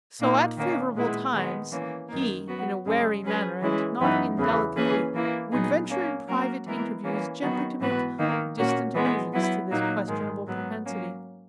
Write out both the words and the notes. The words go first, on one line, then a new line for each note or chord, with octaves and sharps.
So, at favorable times, he, in a wary manner, and not indelicately, would venture in private interviews gently to make distant allusions to this questionable propensity.
A#2 A#3 D#4
D#3 A#3 C#4
A#2 G#3 B3 E4
D#3 G#3 B3
E3 A#3 C#4
F#2 D#3 A#3
F#3 B3 F#4
F#2 C#3 G#3
F#3 C#4 G#4 B4
E3 G#3 C#4 E4
F#2 E3 B3 D#4
E2 C#3 E3
E3 A#3 C#4 G#4 B4
E3 A#3 E4
A#2 F#3 B3 D#4 G#4
F#3 A#3 C#4
F#3 A#3 C#4 F#4 A#4
E3 G#3 B3 E4 A#4
E3 A#3 C#4
D#3 F#3 B3 D#4 F#4
G#2 E3 B3 F#4 B4
D#3 A#3 D#4
A#2 A#3 C#4 F#4
E3 G#3 B3
F#3 B3 E4
A#2 F#3 A#3 D#4
G#2 D#3 G#3
G#2 F#3 B3
F#3 A#3 C#4